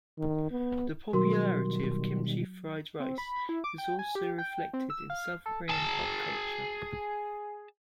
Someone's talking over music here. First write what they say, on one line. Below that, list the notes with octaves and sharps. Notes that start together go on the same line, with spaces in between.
The popularity of kimchi fried rice is also reflected in South Korean pop culture.
D#3
B3
B2 D#3 F#3 G3 F#4 A#4 C6
C4
B5
E4
D6
G5
G#5
G4
G5
C4
E6
F5
A4
G#4 A5